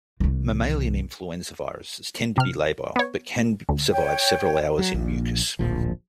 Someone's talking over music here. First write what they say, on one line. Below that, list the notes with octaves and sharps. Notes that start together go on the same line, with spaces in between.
Mammalian influenza viruses tend to be labile, but can survive several hours in mucus.
C2 E3
C3 F6
B3 C#5
D2
C#5 G5
F#3
A#1 A#2
D1 A#1 F3